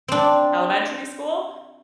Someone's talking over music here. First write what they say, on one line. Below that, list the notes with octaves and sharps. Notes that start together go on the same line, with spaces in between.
elementary school,
C4 D4